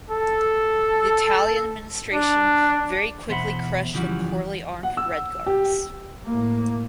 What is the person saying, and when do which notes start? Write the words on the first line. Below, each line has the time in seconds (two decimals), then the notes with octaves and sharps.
The Italian administration very quickly crushed the poorly armed "red guards".
0.10 A4
2.14 D4
3.28 E2 B2 C5 E5 F#5 B5
3.93 F#2 C#3 E3 F3 G3 F#4
4.83 F#5
4.97 E6
5.46 G4
6.25 A2 A#3